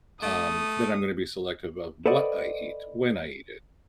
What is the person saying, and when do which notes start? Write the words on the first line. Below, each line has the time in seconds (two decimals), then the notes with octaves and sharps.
um, then I'm gonna be selective of what I eat, when I eat it,
0.23 A3 D#6
2.06 A4 B4 C5 D5 D#5 F#5